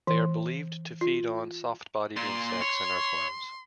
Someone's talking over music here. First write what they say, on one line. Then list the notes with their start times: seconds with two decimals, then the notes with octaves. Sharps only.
They are believed to feed on soft-bodied insects and earthworms.
0.07 E3
1.01 F4
2.17 A#2 C6
2.61 C#5